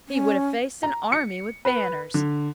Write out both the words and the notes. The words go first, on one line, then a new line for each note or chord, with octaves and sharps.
He would have faced an army with banners.
C#4
A#5
C#7
B4
D3